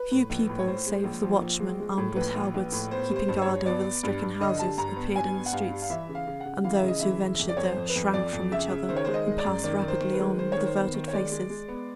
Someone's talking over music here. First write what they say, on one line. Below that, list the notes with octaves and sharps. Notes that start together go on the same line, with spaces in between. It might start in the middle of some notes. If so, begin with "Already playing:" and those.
Few people, save the watchmen, armed with halberts, keeping guard over the stricken houses, appeared in the streets; and those who ventured there, shrank from each other, and passed rapidly on with averted faces.
Already playing: B4
A2
A#1
A2
C#5
A2 C5
G#3
A#1
F3
A#1
G#3
G#3
A2
A#1 B4
A#1
A#1
A2
B3 C5
G3
C5
G2
C#5
G2
B3 D5
B3
G2
G2
D3 D#5
G3 A5
G2 A#5
B3
G2 G#5
B3
F#5
G2 F5
G3
F5
E3 E5
C#3
F5
C#3
F#5
C#3
E3 F5
E5
C#3
D#5
E3 E5
C#3
F2
D5
F2 C#5
C5
F2
B4
F2
F2 D5
F2
C#3 E5
C#3
D#3 C5
C#5
G#3 C5
D#5
G#3
D5
F#2
D#3 D5
D#3
C5
D#3
B4
G#3
D#3 C5
D#3 C#5
C5
B3
D#3
C#5
G#3 D5
G#3
G#3
B3